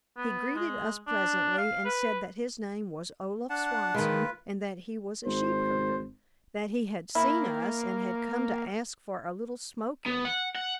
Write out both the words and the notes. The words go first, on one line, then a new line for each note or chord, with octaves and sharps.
He greeted us pleasantly, and said that his name was Olaf Swanson and that he was a sheep-herder; that he had seen us and had come to ask for a little smoking.
B3
G#3
D4
F5
B4
D4 F#5 A5
D#3 G#3 F4 B4
G#1 C5
A#3 E4
B3
F#5
F#5